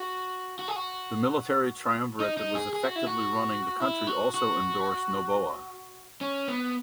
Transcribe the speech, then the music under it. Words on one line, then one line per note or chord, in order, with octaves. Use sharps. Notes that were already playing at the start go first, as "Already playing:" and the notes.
The military triumvirate that was effectively running the country also endorsed Noboa.
Already playing: F#4
F#4
G#4
F#4
D#4
D#4
G#4
G#4
F#4
E4
F#4
E4
F#4
F#4
C#4
B3